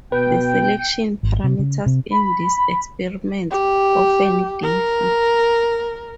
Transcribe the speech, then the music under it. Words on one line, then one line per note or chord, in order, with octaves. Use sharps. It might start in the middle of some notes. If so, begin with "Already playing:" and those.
The selection parameters in these experiments often differ.
B2 B4 G5
G#1
C3
C#3
C3
B5
G4
A#4